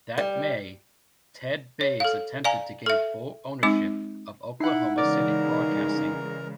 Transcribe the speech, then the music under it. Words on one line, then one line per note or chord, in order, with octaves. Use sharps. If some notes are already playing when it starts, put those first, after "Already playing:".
That May, Ted Baze attempted to gain full ownership of Oklahoma City Broadcasting.
G3
C#5
A4 F5
D5 F5 G#5 A#5
A4 E5
G#3 C4 D#4 D6
D#4 E4 F#5 C7
C#3 E3 G#3 A#4 D5 A#5